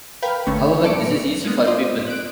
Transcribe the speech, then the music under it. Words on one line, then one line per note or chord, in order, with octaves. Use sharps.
However, this is easy for people.
A#4 B4 F5 G5 B5
G#1 E2 D3 A3 C#4 C#6
F#3 A4 D5 C#7 D7
G#3 A#3 B3
F4 C5 D5 D#5
F#6 D7